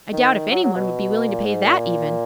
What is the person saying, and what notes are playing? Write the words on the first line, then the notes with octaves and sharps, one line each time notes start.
I doubt if any one would be willing to pay that, even.
D#3
F#3
F#3
B2
A#2
G#2
A#2